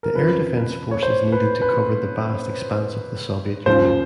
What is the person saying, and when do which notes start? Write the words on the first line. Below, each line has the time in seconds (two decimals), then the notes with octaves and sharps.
The Air Defense Forces needed to cover the vast expanse of the Soviet Union.
0.03 A#4
0.15 F2 C#3 F3 B4
0.91 C#5
1.03 C5
1.32 B4
1.62 B4
3.66 D#2 C#3 F3 C5